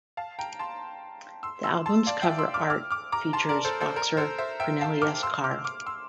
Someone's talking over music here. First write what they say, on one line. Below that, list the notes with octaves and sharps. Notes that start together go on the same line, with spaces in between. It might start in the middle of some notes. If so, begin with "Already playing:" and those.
The album's cover art features boxer Cornelius Carr.
F5 A5
G5 A#5
A5 C6
C6 E6
C6 E6
A5 C6
D5 F5
E5 G5
C6 E6
D6 F6
D6 F6
D6 F6
A#5 D6
A5 C6
A#4 D5
A4 C5
A4 C5
A#4
A4 C5
C5 E5
E5 G5
F5 A5
D6 F6
C6 E6
D6 F6
D6 F6
C6 E6